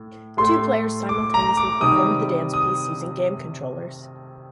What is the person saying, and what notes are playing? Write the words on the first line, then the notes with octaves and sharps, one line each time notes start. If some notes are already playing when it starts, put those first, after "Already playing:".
Two players simultaneously performed the dance piece using game controllers.
Already playing: A2
A2 A3 C6
D6
A#5
D6
C3 D#3 G3 D#6
D#6